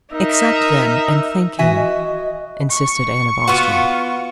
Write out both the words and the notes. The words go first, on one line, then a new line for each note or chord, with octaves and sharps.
"Accept, then, and thank him," insisted Anne of Austria.
D#4 A#4 D#5 E5
E3 F#4 E5 G#5
D#5
C#6
B3 F4 F#4